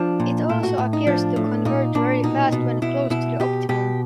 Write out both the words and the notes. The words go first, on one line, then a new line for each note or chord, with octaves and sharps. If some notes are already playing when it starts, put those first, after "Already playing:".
It also appears to converge very fast when close to the optimum.
Already playing: F3 D4
A#2
A2 E4
F#4
A2
D#4
F3 D4
A2
A#2 D#4
A#2 D4
B2 D#4
B2
B2 E4
B2 E4
B2 G4
B2 G4